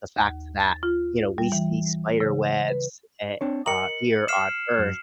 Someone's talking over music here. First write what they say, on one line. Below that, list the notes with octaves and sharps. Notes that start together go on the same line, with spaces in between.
the fact that, you know, we see spiderwebs, eh uh, here on Earth,
D#2
A6
F4
G3
E3
C#3
B4
C4 D4 C#5
A#4 D#5 A#5 C#7 F#7
F6 C7 E7
F#2